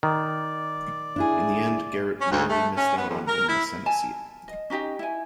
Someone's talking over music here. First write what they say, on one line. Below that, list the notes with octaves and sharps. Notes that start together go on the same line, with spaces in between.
In the end Garrett narrowly missed out on winning a senate seat.
D#3 D5
D4 E4 G#4
C#4
D2
A3
C#4
B3
F2
A#4
E4
G#5 A5
D#5
C#4 D#4 G4 D#5
E4 G#5